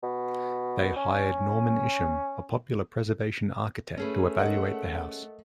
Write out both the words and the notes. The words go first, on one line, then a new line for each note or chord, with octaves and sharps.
They hired Norman Isham, a popular preservation architect, to evaluate the house.
B2
C#4
A3 C#4 G#4 B4
A#4 D#5 F#5